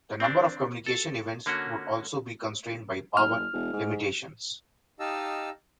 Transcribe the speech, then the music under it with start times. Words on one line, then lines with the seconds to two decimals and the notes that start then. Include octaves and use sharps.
The number of communication events would also be constrained by power limitations.
0.20 C4 D4
0.86 A4
1.46 D3 A#3 C#4 F#4
3.17 F#1 F6
3.53 E1
3.73 G#2
5.00 D#4 G4 D#5 F5 A5 E6